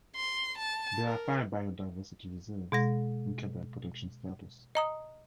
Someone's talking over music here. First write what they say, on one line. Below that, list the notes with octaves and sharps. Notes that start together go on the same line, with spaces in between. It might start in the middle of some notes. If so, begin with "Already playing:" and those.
There are five biodiversity reserves in Quebec with permanent protection status.
C6
A5
A#4
B2 G#3 A#6
D#5 A#5 D#6